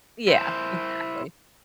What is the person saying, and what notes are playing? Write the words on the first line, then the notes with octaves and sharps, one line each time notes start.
Yeah, exactly.
E4 C5